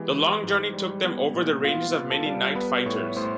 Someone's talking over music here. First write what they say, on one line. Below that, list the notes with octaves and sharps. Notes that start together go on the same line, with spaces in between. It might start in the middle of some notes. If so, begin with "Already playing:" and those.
The long journey took them over the ranges of many night fighters.
Already playing: E3 G#3 B3 G4
E3
G#2
G3
B3
A#2
B3 F4 F5
B3
A4 A5
G3
B3 B4 B5
A2 C#5 C#6
A2 C5 C6